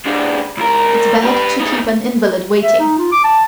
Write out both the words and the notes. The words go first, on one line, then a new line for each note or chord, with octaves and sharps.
It's bad to keep an invalid waiting.
G#2 D4
C#2 A#4
G4 B4
A2 D#4
E5
D#4
F4
D6
A5